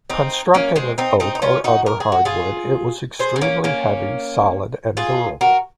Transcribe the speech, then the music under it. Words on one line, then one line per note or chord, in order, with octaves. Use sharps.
Constructed of oak or other hardwood, it was extremely heavy, solid, and durable.
C4 D#4
A#3 C#4
G#3 C4
C4 D#4
C4 D#4
D#4
C#4 F4
D#4 F#4
A#4
G#4
F#4
F4 G#4
G#4 C5
C4
A#3 C#4
A#3 C#4
F4 G#4
F#4 A#4